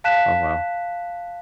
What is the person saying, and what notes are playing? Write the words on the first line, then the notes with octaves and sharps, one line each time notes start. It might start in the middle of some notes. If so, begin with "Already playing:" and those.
oh, wow."
F5 A5 F#6 B6 E7